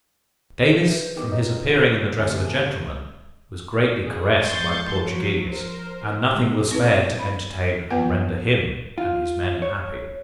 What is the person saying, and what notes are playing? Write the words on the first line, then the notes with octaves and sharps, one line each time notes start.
Davis, from his appearing in the dress of a gentleman, was greatly caressed by the Portuguese, and nothing was spared to entertain and render him and his men happy.
G#4 G6
B4 E5
B1 D#3 G#3 G4
C#2 D#4
D2 C3 G#4 C5 E5 A5
G#2 G#4
F2 G#3 C6 C#6 G6 A6
F3 F#3
A#4 C5
G#2 B2 G#3 A3
C4 E4 B4 A5
B5
F3 B3 F4 B4 F#5 A5
F4
C#5